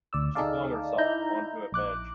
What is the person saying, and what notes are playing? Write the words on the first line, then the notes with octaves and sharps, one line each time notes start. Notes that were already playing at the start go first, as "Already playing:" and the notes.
She flung herself on to a bench.
D2 D5 E6
D#4 G#4 A4 D5 F5
D#4 E4 A#5 G6
A#1 D6 F#6